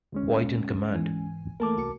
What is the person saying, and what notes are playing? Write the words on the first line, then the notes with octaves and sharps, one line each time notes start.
White in command.
D2 G#3 C#4
G#2 E3 G#5
E3 A3 A#3 A#4 A5 D6
C2 F#4 C#7